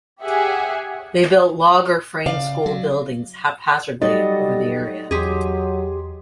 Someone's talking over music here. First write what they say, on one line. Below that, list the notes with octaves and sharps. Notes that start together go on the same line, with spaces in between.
They built log or frame school buildings haphazardly over the area.
G4 G#4 E5 F#5 G#5
C#3 D5 F5
F#3
F#3 G3 D#4 A4 D#5 A6
E2 F#3 G4 G#4 C6